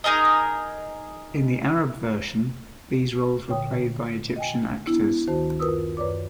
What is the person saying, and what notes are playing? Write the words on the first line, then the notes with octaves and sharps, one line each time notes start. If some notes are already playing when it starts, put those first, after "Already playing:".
In the Arab version these roles were played by Egyptian actors.
D#4 G#4 A#4 D#5
A#2 D3 C#5 G5 D#6
D#5 G5 G#5
B3 D4 E4
D2 D#3 F#4 C5 A5
F#2 F4 A#4 B4 D#6 E6
F#2 B4 C#5 D5 D6